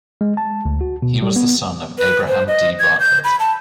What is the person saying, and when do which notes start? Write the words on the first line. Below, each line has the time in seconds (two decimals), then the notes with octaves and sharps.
He was the son of Abraham Dee Bartlett.
0.21 G#3
0.37 A5
0.65 D2
0.81 F#4
1.02 B2
1.22 G3
1.36 B3
1.98 B4
2.28 C5
2.48 D#5
2.79 G#6
3.00 G6
3.24 B5
3.40 A5